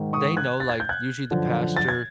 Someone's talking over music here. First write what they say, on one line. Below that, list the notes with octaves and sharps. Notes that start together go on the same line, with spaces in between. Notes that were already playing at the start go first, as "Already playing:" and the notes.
they know, like usually the pastor
Already playing: G#2 D#3
C#6 D#6
F#6 G#6
A6
G#6
G6
F#6 G#6
F#2 D3 F3
A6
G#6